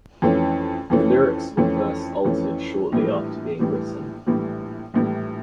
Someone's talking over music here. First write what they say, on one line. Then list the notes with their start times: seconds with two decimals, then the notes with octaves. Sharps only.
The lyrics were first altered shortly after being written.
0.22 F2 E3 A3 C#4
0.90 F2 E3 A3 C#4
1.57 F2 E3 A3 C#4
2.25 F2 E3 A3 C#4
2.92 A#1 A2 E3 G3
3.59 A#1 A2 E3 G3
4.26 A#1 A2 E3 G3
4.94 A#1 A2 E3 G3